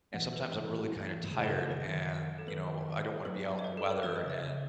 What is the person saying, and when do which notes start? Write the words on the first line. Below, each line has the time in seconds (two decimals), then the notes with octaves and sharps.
And, sometimes, I'm really, kinda, tired and, you know, I don't wanna be out in the weather, and,
0.13 E3 F#5
0.33 B4
0.92 E3
1.31 C#3
1.43 A4
1.51 B4
1.70 D#3 C#5
1.77 C#3
1.85 D#3
2.38 A4
2.48 D#3 B4
3.25 F#3 B4
3.59 D#5
3.64 C#5
3.77 A4
3.91 B4
4.03 E3 C#5
4.16 D#5
4.23 C#3
4.30 E5